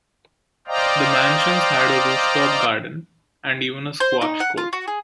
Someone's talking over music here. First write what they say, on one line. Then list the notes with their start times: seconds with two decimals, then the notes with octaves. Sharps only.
The Mansions had a roof top garden, and even a squash court.
0.67 C5 D5 D#5 F5 G5 A#5
4.00 C5
4.22 D#4
4.40 F#5
4.58 F4
4.73 F#4
4.88 G#4